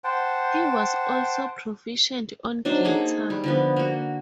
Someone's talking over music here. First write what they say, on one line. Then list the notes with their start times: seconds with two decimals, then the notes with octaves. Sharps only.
He was also proficient on guitar.
0.04 C5 F#5 G5 A5
2.65 F#3 D4 D#4 C5
2.85 A#3 D#4 G#4 A4
3.30 G3
3.44 D3 F3 B3
3.76 A#3 F#4